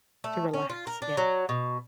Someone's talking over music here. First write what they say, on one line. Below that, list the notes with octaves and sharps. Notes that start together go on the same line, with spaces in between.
To relax, yeah.
A3
C#4
F4
A#4
D4
F#3
B2